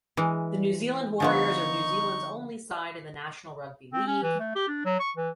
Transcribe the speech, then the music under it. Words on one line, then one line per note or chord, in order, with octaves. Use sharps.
The New Zealand Warriors are New Zealand's only side in the National Rugby League.
E3 G#3
D3 F3 B3 D#4 C#6
C4
C#4
E3
A3
G4
D4
F#3
C#6
E3